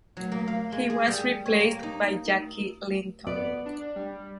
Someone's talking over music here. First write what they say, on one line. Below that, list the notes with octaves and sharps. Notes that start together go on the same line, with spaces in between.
He was replaced by Jackie Lynton.
F#3
A#3
F5
G#3
G#4
G3
C#5
A#3
D#4
B3 D5
D4
G3